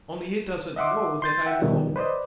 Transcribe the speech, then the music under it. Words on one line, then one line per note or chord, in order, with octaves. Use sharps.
Only he doesn't know that I know.
D#5 E5 F#5 C6 D6
C6 G6 A6
E5 F#5 G5
B2 D#3 F3 G3
B4 C5 D5 D#5